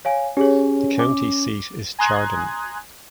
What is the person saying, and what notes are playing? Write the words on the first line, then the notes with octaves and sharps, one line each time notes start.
The county seat is Chardon.
C#5 F5 G#5
C#4 G4 G#4 C#5
D6
G#5 A#5 C6 D#6 F#6 G#6